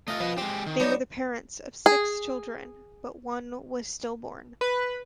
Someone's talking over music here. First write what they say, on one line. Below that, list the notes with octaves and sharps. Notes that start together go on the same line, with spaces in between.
They were the parents of six children, but one was stillborn.
A3 F4 D#5
F3 B4 D#5
G#3 C4 G4
D#3
F#3 B3 D4 D#4
G#4
B4